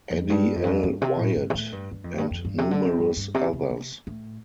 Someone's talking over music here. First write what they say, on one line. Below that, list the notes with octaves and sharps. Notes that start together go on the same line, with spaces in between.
Addie L. Wyatt, and numerous others.
F2
G2
F2
G2
F2
G2
C3
A2
G2
C3
A2
G2
G2
F2
G2
F2
G2
C3
D3
C3
G2
G2
C3
C3
C3
A2